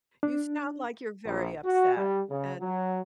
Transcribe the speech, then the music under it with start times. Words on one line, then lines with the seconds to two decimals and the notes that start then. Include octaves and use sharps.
You sound like you're very upset, and
0.23 D4
1.25 A#1
1.63 F#4
1.96 G3
2.29 C#3
2.60 F#3